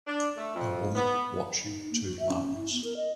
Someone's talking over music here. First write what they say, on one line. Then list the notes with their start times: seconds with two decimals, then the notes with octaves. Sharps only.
A woman watching two lamas.
0.07 D4
0.37 A3
0.55 F2
0.95 B3
1.64 D#4
1.91 A#3
2.04 F#4
2.19 E5
2.33 C#4
2.56 E4
2.72 B3
2.84 A#4
2.96 D#5